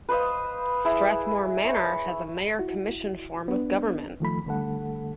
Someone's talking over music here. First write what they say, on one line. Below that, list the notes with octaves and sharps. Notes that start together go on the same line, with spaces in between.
Strathmoor Manor has a mayor-commission form of government.
B4 C5 D#5 F5
E4 G#4
C#5
E4 F#4
B3 D4
D#3 F3 A3 B5
D3 G3 A3 A4 F#5